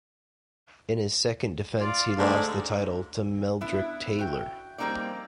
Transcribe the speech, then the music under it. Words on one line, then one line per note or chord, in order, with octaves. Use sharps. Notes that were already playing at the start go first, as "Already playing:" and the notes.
In his second defense, he lost the title to Meldrick Taylor.
F4 D5 F5
G#2 D3 A3 D4 A4 D5 A5
B3 D4 E4
F#4 G5
F2 G3 A#3 C4 D#4 D5